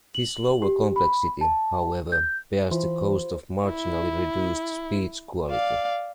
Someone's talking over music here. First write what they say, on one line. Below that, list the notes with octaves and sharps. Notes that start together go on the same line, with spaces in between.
This lower complexity, however, bears the cost of marginally reduced speech quality.
F#7
G4
B5
A5
G6
E3 F4 C5 C6
E4
D5 F5